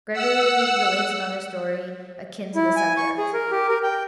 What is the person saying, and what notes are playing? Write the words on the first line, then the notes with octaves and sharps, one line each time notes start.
Gregory relates another story akin to the subject.
F#5 E6
E4
G#5
C#6
G#4
A#4
G4
A#4
G5